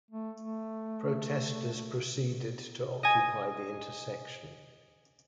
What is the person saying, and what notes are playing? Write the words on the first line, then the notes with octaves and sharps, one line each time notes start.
Protesters proceeded to occupy the intersection.
A3
A3
D#5 G#5